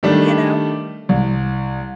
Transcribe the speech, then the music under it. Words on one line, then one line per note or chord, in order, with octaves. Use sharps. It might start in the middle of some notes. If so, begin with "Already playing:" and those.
you know?
D#3 G3 A3 D4
C2